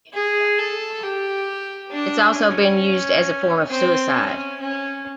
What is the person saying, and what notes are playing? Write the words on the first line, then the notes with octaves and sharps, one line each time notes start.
It has also been used as a form of suicide.
G#4
A4
G4
D4
C#4
C4
C#4
C#4